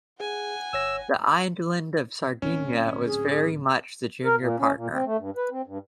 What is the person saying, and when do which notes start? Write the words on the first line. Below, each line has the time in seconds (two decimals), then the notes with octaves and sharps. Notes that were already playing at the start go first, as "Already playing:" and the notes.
The island of Sardinia was very much the junior partner.
0.20 G#4 F#5 G#5
0.73 G1 C#5 E6 A#6
2.42 D1 C4 C#4
3.06 G#4
4.25 A#4
4.40 A#2
4.58 C#4
4.76 A#2
4.93 C4
5.05 A3
5.18 G2
5.36 B4
5.51 C4
5.67 G2